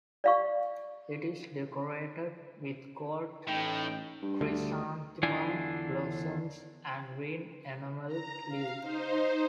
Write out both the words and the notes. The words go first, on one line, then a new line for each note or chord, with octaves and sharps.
It is decorated with gold chrysanthemum blossoms and green-enamelled leaves.
D5 F5 C#6
A1 A2 D#4 G5
G2
D2 D3
E2 D3 D4 E4 F4 G#5
A#5
F5
D#4 C5